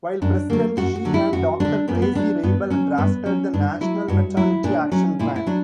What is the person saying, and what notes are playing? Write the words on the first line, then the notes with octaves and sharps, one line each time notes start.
While President, she and Doctor Tracy Reibel drafted the National Maternity Action Plan.
F#2 D4
D3 F#3 A#3
F#2 F#4
F#4
D3 F#3
E4
F#2 F#4
D3 F#3 D4
F#2 B3
A#3
B3
D3 F#3 D4
G2 B3
F#3 C#4
G2 B3
F#3 C#4
G2 D4
F#3 E4
G2 F#4
F#3 E4
A#2 D4
F#3 C#4
A#2 E4
E4
F#3 D4